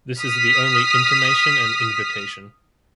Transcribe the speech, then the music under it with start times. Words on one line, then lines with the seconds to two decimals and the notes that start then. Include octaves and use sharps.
This is the only intimation and invitation.
0.20 D#6 F6 B6